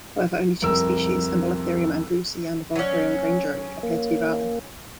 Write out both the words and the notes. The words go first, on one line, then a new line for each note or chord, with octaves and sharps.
However, only two species, "Embolotherium andrewsi" and "Embolotherium grangeri", appear to be valid.
C2 F2 A#4 E6
F#3 C#4
A#3